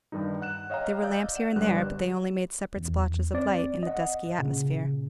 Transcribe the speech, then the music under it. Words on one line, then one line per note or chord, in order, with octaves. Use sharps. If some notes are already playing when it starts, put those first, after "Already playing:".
There were lamps here and there, but they only made separate splotches of light in the dusky atmosphere.
G2 D#3 G3 D#4
F#5 F#6 E7
C#5 D#5 F5 G5 A#5
D5 D#5 F5 E6 G6
F#5 E7
G1 G2 G3 F#6
E2
C4 D5
D#5 F#5
A#2 C#3